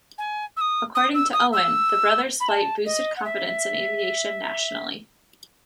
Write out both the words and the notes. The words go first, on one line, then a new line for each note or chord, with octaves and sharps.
According to Owen, the brothers' flight boosted confidence in aviation nationally.
G#5
E6
D#6
D#6
E6
D#6
E6
B5
A5
D#5
F#5
E5